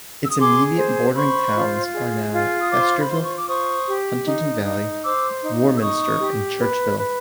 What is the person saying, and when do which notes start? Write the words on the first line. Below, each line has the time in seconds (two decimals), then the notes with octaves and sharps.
Its immediate bordering towns are now Feasterville, Huntingdon Valley, Warminster, and Churchville.
0.23 E6
0.30 D#6
0.38 G#4 C6 D6
0.77 C5
1.16 C5 B5 C#6
1.54 F4
1.93 G#4
2.33 F4
2.61 D#6
2.71 C5 C6 D6
2.99 B5
3.09 F4 C6
3.23 C#6
3.36 D6
3.48 C5 C#6 D#6
3.87 G4
4.26 D#4
4.64 D#4
5.03 C5 D6 E6
5.42 D#4
5.76 E6
5.81 D#4 C#6 D#6
6.20 G4
6.59 B4
6.98 B4